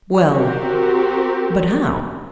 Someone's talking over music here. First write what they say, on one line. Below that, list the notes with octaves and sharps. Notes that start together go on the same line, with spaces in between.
"Well; but how?"
C4 F#4 G4 A#4